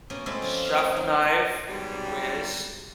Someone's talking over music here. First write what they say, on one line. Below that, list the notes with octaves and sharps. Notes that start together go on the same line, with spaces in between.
chef knife, whisk,
B2 A#3 C#4
G#3 A3 C4 C#4 E4 D5
F3
G#4 F5
F#3
G#2 B2 F#3 G3